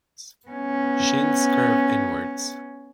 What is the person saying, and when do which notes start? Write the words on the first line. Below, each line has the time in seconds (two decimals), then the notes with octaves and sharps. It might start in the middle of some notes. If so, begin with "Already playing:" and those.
Shins curve inwards.
0.48 B3 C#4